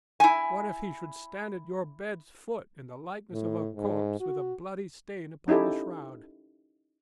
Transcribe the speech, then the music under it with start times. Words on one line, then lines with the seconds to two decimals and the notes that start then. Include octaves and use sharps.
What if he should stand at your bed's foot in the likeness of a corpse with a bloody stain upon the shroud?
0.20 E4 G#5
3.33 A2
3.75 G#2
4.21 F#4
5.48 C#4 D#4 E4 G4 A4